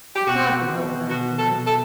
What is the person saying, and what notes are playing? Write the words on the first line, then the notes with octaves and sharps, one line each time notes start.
It can't be helped now, you know.
G4
B2 F#4
B2
B2 F#4
A4
B2
A4